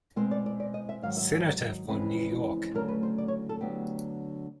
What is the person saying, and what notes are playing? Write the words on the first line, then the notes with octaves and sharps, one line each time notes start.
Senator for New York.
B2 G#3 C4 C5
D5
D5
D5
D#5
E5
G#2 D#3 F#3 F5
E5
E5
D#5
D#5
F2 C#3 E3 G#3 C4 B4
D2 C#3 F#3 A3 A#4
B4
C5
D5
C#5
A4
D2 D3 F#3 B3 G4